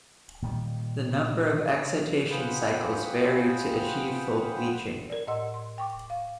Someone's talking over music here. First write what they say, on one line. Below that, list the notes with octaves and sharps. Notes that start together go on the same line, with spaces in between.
The number of excitation cycles vary to achieve full bleaching.
A#2 D#3 G3
F4 G#4 B4 C5 F#5 G5
A#4 D5
A2 D#5 F#5 C6 E6
C6
G5 C#6 D6
F5